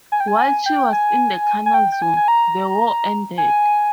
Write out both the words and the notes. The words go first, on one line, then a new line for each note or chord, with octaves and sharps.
While she was in the Canal Zone, the war ended.
G#5
G5
G#5
G5
G#5
G#5
G5
G5
G#5
G#5
A#5
G#5